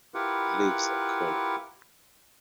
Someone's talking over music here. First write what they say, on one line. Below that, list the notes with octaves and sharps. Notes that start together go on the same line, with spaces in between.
He lives in Khulna.
E4 F4 G4 A#4 B4 F#5